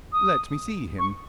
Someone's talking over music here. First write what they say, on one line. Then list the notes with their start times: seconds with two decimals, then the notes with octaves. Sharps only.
"Let me see him."
0.12 D#6
0.99 C#6